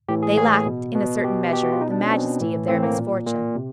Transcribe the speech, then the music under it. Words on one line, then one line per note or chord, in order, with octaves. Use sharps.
They lacked, in a certain measure, the majesty of their misfortune.
A2 E3 G4
G#4
A2 E3 G#4
B2
B2
B2 G4
B2 G4
F#4
F4
B2 D#4
D4
C#4
B2 C4
A2 E3
A2 E3 C4
A#3
A#2
A#2
C3